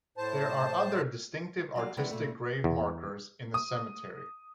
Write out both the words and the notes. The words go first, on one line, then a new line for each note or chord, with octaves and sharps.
There are other distinctive artistic grave markers in the cemetery.
A2 C5 A5
F#3 G3 F5
C3 D#3 E3 G3 G#3 B3
A#2 C#3 A3
E2
D#6